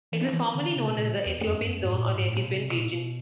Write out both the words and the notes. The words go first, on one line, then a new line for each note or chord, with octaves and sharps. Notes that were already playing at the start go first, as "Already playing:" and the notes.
It was formerly known as the Ethiopian Zone or Ethiopian Region.
E3
E3
D3
C#3
B2
A#2
E2
F2
G2
F#2
G#2
A#2
A2
G#2
A2
B2
C3
B2
A#2
B2